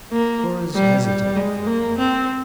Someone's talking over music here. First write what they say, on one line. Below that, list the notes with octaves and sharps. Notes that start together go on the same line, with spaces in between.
Torres hesitated for a moment.
A#3
G3
G3
G#3
A#3
C4